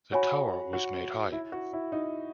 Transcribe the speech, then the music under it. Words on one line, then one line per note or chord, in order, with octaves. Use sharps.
The tower was made high.
F#4 C#5 G#5 B5
F#4
E4
F#4
E4
D#4